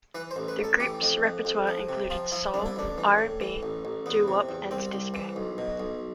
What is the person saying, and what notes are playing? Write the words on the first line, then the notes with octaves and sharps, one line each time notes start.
The group's repertoire included soul, R and B, doo-wop, and disco.
E3 B4
C5
A1
B4
A1 A4
E3 G4
F2
F2
F2
F3
C3
F3 F4
F3 E4
C2 D4
E4
A1 D4
E3
A2
E3
A1
A1
E2 B3
C3
E2
C2 C4
C2
E3
B1
B2
B1